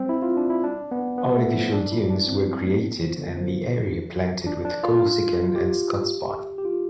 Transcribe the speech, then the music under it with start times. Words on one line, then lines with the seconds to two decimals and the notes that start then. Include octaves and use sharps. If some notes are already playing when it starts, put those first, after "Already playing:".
Artificial dunes were created and the area planted with Corsican and Scots pine.
Already playing: G3 C4
0.09 E4
0.22 F4
0.37 D4
0.50 E4
0.64 D4
0.91 B3
1.18 B3
1.37 A3
1.54 F3
1.73 D4
1.92 E4
2.10 D4
2.28 C4
2.45 F3
2.65 A3
2.82 B3
3.01 F3
3.18 D3
3.37 F3
4.47 D4
4.65 D4
4.83 F4
5.55 G4
6.58 G4
6.65 F4